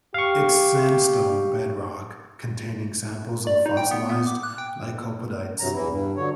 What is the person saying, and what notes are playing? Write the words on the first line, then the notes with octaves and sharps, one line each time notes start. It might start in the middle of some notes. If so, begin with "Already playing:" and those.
Its sandstone bedrock containing samples of fossilised Lycopodites.
G4 F5 C#6
D5
D#4
G5
B3
B3
D6
F#6
G5
G2 C3 F#3 A#5
E2 E3 E4
G2
D3 F#3 C#5